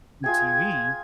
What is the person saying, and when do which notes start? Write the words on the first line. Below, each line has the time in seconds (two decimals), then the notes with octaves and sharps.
new TV,
0.24 F4 G#4 G5 G#6